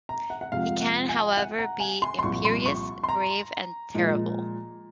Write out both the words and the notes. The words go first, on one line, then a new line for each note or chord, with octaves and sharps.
He can, however, be imperious, grave, and terrible.
A#5
F#5
F#5
F2 C3 F3 G#3 F5
F#5
G#5
F#5
A#5
G#5
C6
C6
C2 A#2 F3 C#6
C6
C#6
C6
A#5
A#2 F3 G#3